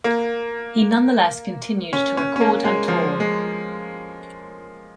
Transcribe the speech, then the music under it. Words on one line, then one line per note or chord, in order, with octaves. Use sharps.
He nonetheless continued to record and tour.
A#3
C#4
C#4
C#4
A#3
G#3
F3
G#3